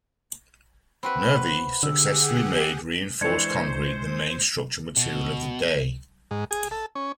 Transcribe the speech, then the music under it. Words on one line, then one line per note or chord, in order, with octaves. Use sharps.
Nervi successfully made reinforced concrete the main structural material of the day.
C4 F#4 B4 B5
B4
D3 G4 G#4 F#5 E6
E3 G#3 D4 C5 C#5 G#6 C#7
B2
G#2
G#4
A4
C#4